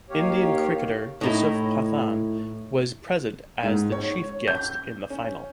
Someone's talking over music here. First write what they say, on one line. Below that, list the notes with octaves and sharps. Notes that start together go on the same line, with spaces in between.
Indian Cricketer Yusuf Pathan was present as the chief guest in the final.
D#2 D#3 G4 C#5 F5
A2 D#4 E4
G#2
C#5
G6
C#4